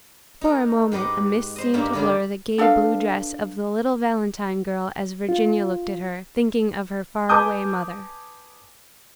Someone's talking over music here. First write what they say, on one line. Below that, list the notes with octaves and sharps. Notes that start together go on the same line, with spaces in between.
For a moment, a mist seemed to blur the gay blue dress of the little valentine girl as Virginia looked at her, thinking of her far-away mother.
D#4 A#4
G#2 G4 B4 D#5
C5 D#5
G2 G3 A#3 C#4 D#4 E5
D3 D#3 G3 A#3 D4
D4 A4 B4 F5
F4
B4 G#5 A5 D6 D#6 G6